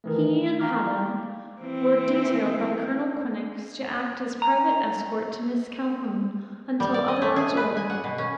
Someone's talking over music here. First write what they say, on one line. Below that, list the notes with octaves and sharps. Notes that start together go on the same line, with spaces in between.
He and Haddan were detailed by Colonel Quinnox to act as private escort to Miss Calhoun until otherwise ordered.
D#3 E3 A3
F5 G5 A#5 D6 F6
E3 C4
A#5
G3
D5
D#5
A3
G#4
B4
G#5
F#5
B2
C#4